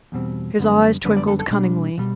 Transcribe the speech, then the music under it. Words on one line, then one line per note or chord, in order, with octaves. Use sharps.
His eyes twinkled cunningly.
E2 B2 G3 C4
F#2 D3 G3 B3 D4
F#2 D3 G3 B3 D4 B4
D5
A4
A4
B2 G3 D4
B2 G3